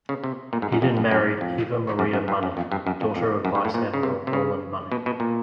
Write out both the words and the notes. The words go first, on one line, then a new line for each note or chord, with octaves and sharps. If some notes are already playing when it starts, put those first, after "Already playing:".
Eden married Eva Maria Money, daughter of Vice-Admiral Rowland Money.
C#3
C3
A#2
G#2
F#2
F2
F#2
F#2
F2
F#2
F#2
G2
F#2
F2
G2
F#2
F2
F2
F#2
G#2
A2
A#2
C#3
C3
C3
C#3
B2
B2
A#2